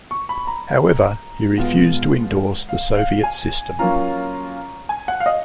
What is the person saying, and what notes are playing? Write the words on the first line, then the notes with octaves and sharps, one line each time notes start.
However he refused to endorse the Soviet system.
C#6
B5
A#5
B2 G#3 B3 F4 F#5
F5
F5
G#5
F#3 A#3 C#4 F4 A#5
G#5
F#5
F5
D#5